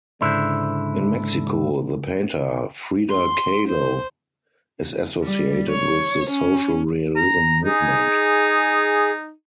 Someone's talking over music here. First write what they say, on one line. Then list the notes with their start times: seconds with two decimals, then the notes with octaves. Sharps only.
In Mexico the painter Frida Kahlo is associated with the social realism movement.
0.21 C#2 G#2 D3 D4 E4 C5
3.09 C6
3.68 C5
5.22 G3
5.71 C#5
6.31 C#4
7.16 A#5
7.65 D#4 G#4